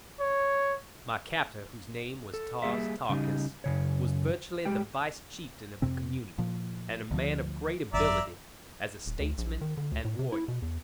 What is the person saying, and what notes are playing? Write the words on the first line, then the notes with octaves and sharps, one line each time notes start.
My captor, whose name was Tars Tarkas, was virtually the vice-chieftain of the community, and a man of great ability as a statesman and warrior.
C#5
A4
G3 A#3 G#4 E5
C#3 G3 D#4
F#2 C#3 C#5
G#3 G4 G5
F2 C3 C4
A#2 F3
D2 F3
G#1 F#2 D5 E5 A#5
D#1
D2
A#1
D#3
D3
D2
A2
C3
E4
B2
E2